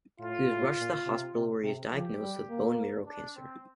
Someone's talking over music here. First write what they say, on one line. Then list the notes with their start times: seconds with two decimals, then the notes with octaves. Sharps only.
He was rushed to the hospital where he was diagnosed with bone marrow cancer.
0.19 A2 F4
0.49 A2
0.77 A#2
1.06 C3
1.34 C3
1.63 C3
1.92 F3 G4
2.21 G3
2.49 A#3
3.07 D4
3.35 C4